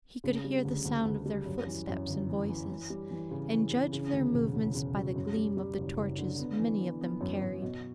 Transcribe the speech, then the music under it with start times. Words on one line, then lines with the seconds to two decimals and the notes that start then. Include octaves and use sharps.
He could hear the sound of their footsteps and voices, and judge of their movements by the gleam of the torches many of them carried.
0.24 C#3
0.44 G3
0.65 D2
0.85 D2
1.05 D2
1.26 G3
1.46 F#2
1.67 E3
1.87 F#2
2.07 G1
2.29 E3
2.48 E3
2.69 E3
2.90 G3
3.11 E3
3.31 C#3
3.52 E3
3.72 C#3
3.93 C#3
4.13 D2
4.34 E1
4.54 C#3
4.75 C#3
4.96 F#3
5.16 F#2
5.36 G3
5.57 G3
5.78 F#1
5.98 F#1
6.18 D3
6.39 B3
6.59 E3
6.81 B3
7.01 B3
7.21 F#2
7.42 F#2
7.62 B2